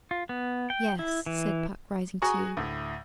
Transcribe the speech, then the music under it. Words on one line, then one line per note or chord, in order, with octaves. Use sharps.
'Yes,' said Puck, rising too.
F4
B3
G5
E4
E3
F#4 G#4 G#5 A#5 C#6
D2 A2